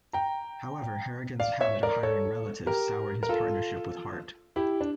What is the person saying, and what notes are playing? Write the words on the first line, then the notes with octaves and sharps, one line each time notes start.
However, Harrigan's habit of hiring relatives soured his partnership with Hart.
G5 A#5
D5 F5
C#5 E5
A#4 D5
A4 C#5
G4 A#4
A#4
F4 A4
E4 G4
D4